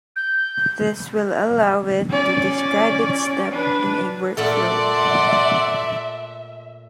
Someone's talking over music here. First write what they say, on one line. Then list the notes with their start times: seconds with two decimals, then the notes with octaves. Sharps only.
This will allow it to describe its step in a workflow.
0.16 G6
2.10 C#4 D5
3.52 D4 B4
4.37 A#2 A3 A4 D5 E5 F#5 C6